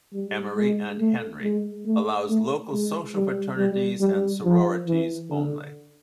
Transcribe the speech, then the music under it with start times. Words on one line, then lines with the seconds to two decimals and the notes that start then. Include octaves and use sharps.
Emory and Henry allows local social fraternities and sororities only.
0.14 G3
0.57 G#3
1.00 A3
1.43 G#3
1.86 A3
2.29 A3
2.72 G#3
3.15 G3
3.58 G3
4.01 G3
4.44 F3
4.87 E3
5.30 D3